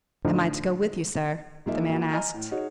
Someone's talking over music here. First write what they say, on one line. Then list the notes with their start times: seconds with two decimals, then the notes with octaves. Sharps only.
"Am I to go with you, sir?" the man asked.
0.25 A2 D3 F3 D4 D#4 F4
1.66 C#2 F3 A#3 D#4 E5
1.89 A#3 F4 F#4
2.11 D#5 G#5 A#5 F6
2.34 A2
2.51 D#4 F#4 G#4 C#5